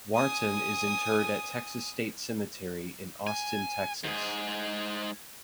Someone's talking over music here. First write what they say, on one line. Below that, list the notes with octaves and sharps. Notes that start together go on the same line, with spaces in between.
Wharton is interred at Texas State Cemetery in Austin, Texas.
G#5 D#6
G#5
G#2 G#4